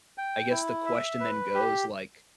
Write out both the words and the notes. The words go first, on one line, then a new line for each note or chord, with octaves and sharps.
I guess the question then goes, like,
G5
E4
E5
B4
G4